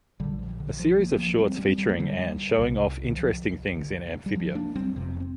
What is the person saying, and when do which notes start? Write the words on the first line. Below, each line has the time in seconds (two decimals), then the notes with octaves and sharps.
A series of shorts featuring Anne showing off the interesting things in Amphibia.
0.20 A#1 A#2 D3 G3
0.39 F3
0.60 D3
0.79 F3
0.99 F3 A#3
1.18 F3 A#3
1.38 G3 C4
1.58 G3 C4
1.78 G3
1.89 A#3
1.99 D3 G3
2.58 C2 C3
3.04 D3
3.18 F3
3.76 D3
4.26 G3
4.35 F3
4.55 A#3 D4
4.76 G3 C4
4.96 F1 F2 C3
5.20 C4